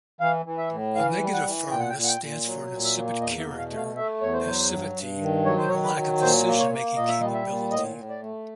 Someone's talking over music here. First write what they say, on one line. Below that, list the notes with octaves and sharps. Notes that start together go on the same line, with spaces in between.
A negative Firmness stands for an insipid character, passivity and lack of decision-making capability.
E3 F5
E3
E5
A2
E3 F5
G3
F#5
E3
A#2 G5
F#5
G5
A#2
F#5
G5
A#2
F#3
A#2
E5
A#3
E2 D#5
E5
B2
F5
A3
F5
A3 E5
E2 C#5
C5
F#3
G2
G2
D#3
F#3 C#5
C5
D#3 C#5
B4
F#3
A#2 C5
A#3
C#5
A#3
A#2 D#5
E5
G3 D#5
E5
A#2
A2 D#5
A2
D5
A3